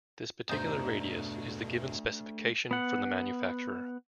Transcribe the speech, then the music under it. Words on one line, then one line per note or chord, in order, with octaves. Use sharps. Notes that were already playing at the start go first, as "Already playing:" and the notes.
This particular radius is the given specification from the manufacturer.
E2 G2 B2 A3 D4 D#4 C5
B3 F#5